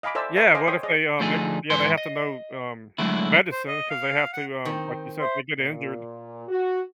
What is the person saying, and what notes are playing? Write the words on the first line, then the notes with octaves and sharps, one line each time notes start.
Yeah, what if they, um, they yeah, they have to know, um, medicine 'cause they have to, um, like you said, if they get injured
D#5 F5 G#5 B5 D6
A4 C5 D5 E5 G#5 E6
B4 D5 E5 F5 A5 C#6
A4 C5 D#5 F5 G#5 D6
C5 C#5 G5 D#6
G#4 D5 D#5
D2 F3 A3 D4 D#4 G#4
G#2 E3 B4 G#5 C6
D#5
D3 F#3 G#3 A3 E4
C5
D#5
F5
F#5
D#3 C4
C5 E5 C6
A#2
F#4